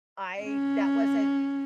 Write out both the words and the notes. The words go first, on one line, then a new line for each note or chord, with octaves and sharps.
I that wasn't
C#4